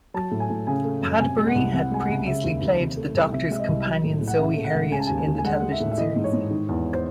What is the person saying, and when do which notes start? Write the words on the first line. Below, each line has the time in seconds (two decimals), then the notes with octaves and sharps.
Padbury had previously played the Doctor's companion Zoe Herriot in the television series.
0.14 F#3 A5
0.31 A2
0.40 G#5
0.50 A2
0.67 C#3 G#5
0.85 A3
1.02 F#2
1.20 C3 G#5
1.38 G#3
1.47 F#5
1.55 C2
1.73 C3 F#5
1.91 G#3 G#5
2.00 F#5
2.09 C#2
2.26 C#3 E5
2.44 D#2
2.61 D#2
2.80 C3
2.97 A3
3.14 C2
3.32 C3 E5
3.50 G#3 E5
3.59 D#5
3.68 C2
3.85 F#3
4.03 A2
4.21 A2
4.28 F#5
4.38 C#3 E5
4.57 A3
4.65 F#5
4.74 C#2
4.91 C#3 G#5
5.00 A5
5.07 G#5
5.10 D#2
5.18 G#5
5.27 D#2
5.38 G#5
5.44 G#3 F#5
5.62 G#3
5.72 E5
5.80 A2
5.92 E5
5.98 E3 D#5
6.16 G#2
6.24 C#5
6.33 G#2
6.51 D#3
6.69 E2
6.93 C5